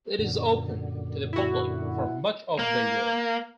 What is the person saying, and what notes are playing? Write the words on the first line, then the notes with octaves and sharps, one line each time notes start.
It is open to the public for much of the year.
F#2 A#2 D3
E4 F#4
A#3